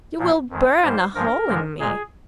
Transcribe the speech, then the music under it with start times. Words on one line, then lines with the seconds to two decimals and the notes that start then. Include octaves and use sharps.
You will burn a hole in me.
0.18 A#2 F3 A#3
0.50 F2 D#3 G#3
0.82 G#2 G3 A#3 C5
1.15 G2 F3 G#3 A#4
1.47 G2 D3 F3 G#3
1.79 A#2 G#3 G#4